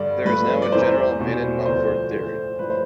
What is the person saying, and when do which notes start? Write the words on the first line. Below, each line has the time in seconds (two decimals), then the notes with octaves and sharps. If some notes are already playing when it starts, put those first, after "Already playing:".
There is now a general 'Manin-Mumford' theory.
Already playing: G2 D3 G3 D5
0.26 G2 F3 A3 B4
0.62 D5
0.72 E2 C3 E3 A3 C5
1.19 E2 B2 G3
1.66 D2 D3 F3 A3 C5
2.12 A2 E3 A3
2.59 G2 F3 A3 B4
2.70 C5